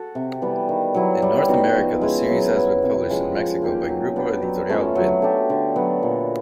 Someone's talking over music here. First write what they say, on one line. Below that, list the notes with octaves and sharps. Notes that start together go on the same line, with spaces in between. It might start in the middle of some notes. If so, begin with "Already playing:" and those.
In North America the series has been published in Mexico by Grupo Editorial Vid.
Already playing: F#4 A4
C3
E3 G3 B3
D#3
F#3 B3 E4
G3
B3 D#4 F#4
F3
G#3 C#4 E4
F#3
B3 E4
C3
F3 G#3 C#4
F3
A#3 D#4 G4
F#3
B3 D4 G4
F#3
A3 C#4 F4
F#3
A3 D4 G4
D3
F#3 B3
A#2